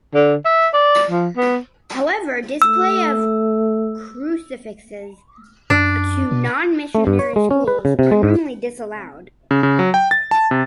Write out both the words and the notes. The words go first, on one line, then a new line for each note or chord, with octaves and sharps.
However, display of crucifixes to non-missionary schools are normally disallowed.
D3
E5
D5
F3
B3
A3 E6
F#2 D4
B2
A3
G2
C#5
G#3
C#4
B4
C#3
C3
G#3
G#2
C#3
C#3
F#3
G5
A6
A5
C3